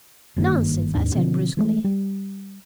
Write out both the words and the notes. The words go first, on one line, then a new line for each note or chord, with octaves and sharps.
"Nonsense!" I said bruskly.
F#1 G2 D#3 A#3
D#2 G#2 D4
B2 D3 F3 C4
E3 G#3 A3
G3